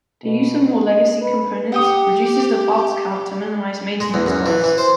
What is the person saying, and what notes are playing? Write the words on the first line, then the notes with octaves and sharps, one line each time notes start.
The use of more legacy components reduces the parts count to minimise maintenance costs.
B2
D#5
B4
G4 F#5 G5 D#6
G#3
E2
F#2
E3
E3
C5